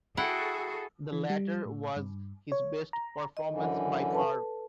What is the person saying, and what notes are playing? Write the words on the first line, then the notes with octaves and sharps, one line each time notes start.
The latter was his best performance by far.
E4 F#4 G#4 A4 F#5 G5
E3
G3
A2
G2
C#5
A#5
D#5
F#2 D3 E3
A4 B4 A5